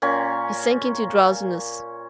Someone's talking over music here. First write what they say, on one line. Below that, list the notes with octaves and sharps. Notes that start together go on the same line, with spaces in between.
He sank into drowsiness.
A#2 C#4 G#5